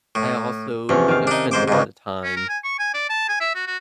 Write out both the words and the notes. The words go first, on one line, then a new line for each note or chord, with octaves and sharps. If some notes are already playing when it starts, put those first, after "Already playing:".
I also, you know, spent a lotta time,
A2
E2 C3 F3 C#4
D#3 F5
D4 D#4
G#2 C5 D6
C#2 G#2
C#4
A#4
G#5
C#6
G#5
D5
A5
G#5
E5
F#4
F#4